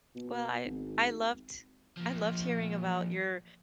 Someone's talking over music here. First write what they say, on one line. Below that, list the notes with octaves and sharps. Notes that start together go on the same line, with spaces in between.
Well, I I loved I loved hearing about your,
B2
G#1
F3 A#3